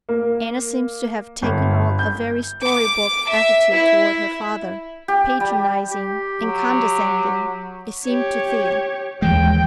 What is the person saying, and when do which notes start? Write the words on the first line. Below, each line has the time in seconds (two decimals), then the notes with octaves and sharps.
Anna seemed to have taken on a very story-book attitude toward her father; patronizing and condescending, it seemed to Thea.
0.09 A#3
1.42 G1
1.99 G6
2.65 D6
3.29 E5
3.74 E4
5.08 G4
5.40 G3
5.91 G4
6.41 F#3
8.06 G4 C#5
9.22 D#2 E3 G#3 G5